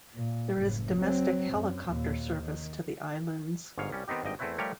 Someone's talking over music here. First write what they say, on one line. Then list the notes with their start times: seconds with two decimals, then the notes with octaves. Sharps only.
There is domestic helicopter service to the islands.
0.15 A#2
0.58 F#1 A2
0.95 F#3 C4
1.53 F#2
1.88 D#2 A#2
2.39 D#3
3.78 G1 G#2 C#5 F5
3.91 C2 G3 C#4
4.08 D#3 B3 C4 D#4 G4
4.24 G#1 G2 D#5 G5
4.39 E2 A3 C4 E4 B4 C#5
4.58 F3 G3 A3 G4 A#4 C#5